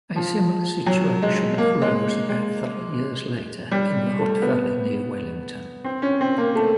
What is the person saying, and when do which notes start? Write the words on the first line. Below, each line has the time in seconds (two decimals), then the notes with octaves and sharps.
A similar situation arose about three years later in the Hutt Valley near Wellington.
0.16 F3
0.86 F#3
1.22 G#3
1.58 A#3
1.82 G#3
2.29 G#3
3.71 G3
4.19 A3
4.42 B3
5.84 C4
6.02 C#4
6.21 C4
6.38 A#3
6.55 A3